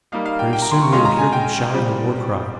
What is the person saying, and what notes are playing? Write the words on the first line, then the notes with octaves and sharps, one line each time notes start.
Pretty soon we will hear them shouting the war-cry.
G3 A#3 D#4 F5
F5
G5
G5
A#5
C6
C#6
C#3 G#3 C#4 F4 C6
A#5
G#5
G5
A#2 G3 C4